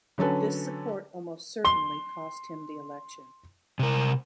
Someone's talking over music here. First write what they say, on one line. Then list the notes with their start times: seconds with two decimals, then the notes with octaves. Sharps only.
This support almost certainly cost him the election.
0.18 D3 F#3 C#4 A4 B4
1.65 C6 G7
3.79 C3 A#4